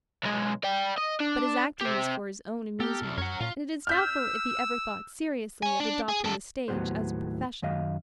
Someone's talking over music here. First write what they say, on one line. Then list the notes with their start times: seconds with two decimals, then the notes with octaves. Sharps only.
But his acting was for his own amusement, and it is doubtful if he ever thought seriously of adopting the stage as a profession.
0.23 B1 G#3
0.64 D5 G5
0.97 D#5
1.20 D4
1.81 C4 G4
2.80 B3 G4 A4 A#4
3.02 C2
3.18 F#2 C#4 A#4 C#5 F#5
3.40 A#2 F4
3.87 E6 F6 G6 B6
5.63 C#5 G#5
5.80 D4
6.09 G#4
6.24 F#2 A4
6.68 D#2 A2 E3 F#3 B3 C5
7.62 F#2 D#3 D#5 F5